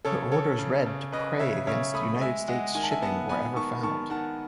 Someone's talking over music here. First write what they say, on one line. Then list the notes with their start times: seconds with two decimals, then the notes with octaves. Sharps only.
Her orders read to prey against United States shipping wherever found.
0.05 C#3 A4 C#5
0.32 C#3 A4 C#5
0.59 C#3
0.86 C#3
1.12 C#3 B4 D#5
1.40 C#3 C#5 E5
1.67 C#3 C#5 E5
1.94 A3 B5 D#6
2.21 G#3 E5 G#5
2.48 G#3 D#5 F#5
2.75 D#3 G#5
2.83 A5
2.91 E5 G#5
3.02 B3 F#5 A5
3.29 B3 G#5 B5
3.56 D#3 A5 C#6
3.83 D#3 A5 C#6
4.10 D#3 F#5 A5